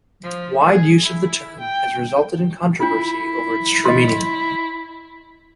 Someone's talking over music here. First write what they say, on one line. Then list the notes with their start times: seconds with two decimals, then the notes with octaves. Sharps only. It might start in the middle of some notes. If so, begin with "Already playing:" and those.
Wide use of the term has resulted in controversy over its true meaning.
0.23 F3
0.65 G#4
1.03 E4
1.59 G5
2.80 D4 E4 F4
3.85 D#5 C6